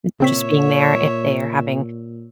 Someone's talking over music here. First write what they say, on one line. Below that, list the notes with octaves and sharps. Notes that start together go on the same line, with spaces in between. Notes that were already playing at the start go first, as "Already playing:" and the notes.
n just being there if they're having,
A#2 C#3 C4 C#5 E5 B6